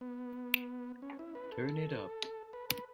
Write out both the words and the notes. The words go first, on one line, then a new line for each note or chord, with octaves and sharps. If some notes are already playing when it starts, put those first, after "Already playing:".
Turn it up!
B3
C#4
E4
B4
A4
B4
B4